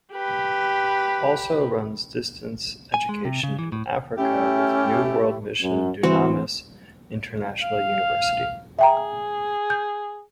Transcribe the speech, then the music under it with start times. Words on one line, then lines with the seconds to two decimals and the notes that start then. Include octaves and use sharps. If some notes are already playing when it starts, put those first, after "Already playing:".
Also runs distance education in Africa with New World Mission Dunamis International University.
0.13 G4 B4
2.94 G#5
3.09 G#3
3.25 C3
3.43 C#3
3.59 E3
3.72 A2
4.18 A3 C#4 E4 G4
5.61 F#2
6.03 D2 G2 E3 C4 E4 F#4
7.62 F5
8.79 G#4 E5 G5 A#5
9.70 G6